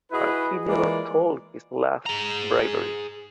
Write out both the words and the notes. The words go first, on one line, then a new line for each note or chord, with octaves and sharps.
But he never told his last bravery.
E4 F#4 G#4 B4 D#5
E3 G#3 A#3 F4 D5
G#4 A#5